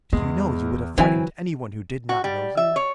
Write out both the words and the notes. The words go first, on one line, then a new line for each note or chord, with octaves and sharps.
Do you know, you would have frightened any one who did not know you?
E2 G#3 B3
D3 E3 F#3 C4 E4 G#5
F#4
G3
E5
C#5